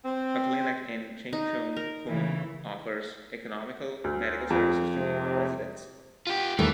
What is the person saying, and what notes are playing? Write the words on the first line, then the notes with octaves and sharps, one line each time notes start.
A clinic in Ching Chung Koon offers economical medical services to nearby residents.
C4
D#4
A#4
C#3 E3
D2
F2
C3
F4 G4
D#2 E3 A3